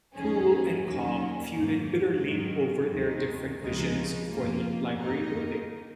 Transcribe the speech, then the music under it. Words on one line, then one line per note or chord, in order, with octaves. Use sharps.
Poole and Cobb feuded bitterly over their different visions for the library building.
D#2 D#3 F#3 C#4 G#4
D#2 D#3 F#3 C#4
G#2 F#3 A#3
G#2 D#3 F#3
D#2 D#3 G#3
C#2 C#3 F3 G#3 D#4
F2 F3 A#3 F4
D#3 A#3 D#4 A#4 D#5